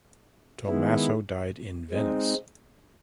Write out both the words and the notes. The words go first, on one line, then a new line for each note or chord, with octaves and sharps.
Tommaso died in Venice.
D#3 G#3 B3 E4
G#3 C4 D#4